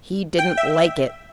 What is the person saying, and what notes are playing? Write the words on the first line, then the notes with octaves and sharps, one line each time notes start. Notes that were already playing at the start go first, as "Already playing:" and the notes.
He didn't LIKE it!
G5
E5